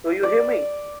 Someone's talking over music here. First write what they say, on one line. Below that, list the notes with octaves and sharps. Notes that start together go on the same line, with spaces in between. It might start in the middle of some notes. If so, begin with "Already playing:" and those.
Do you hear me!
D5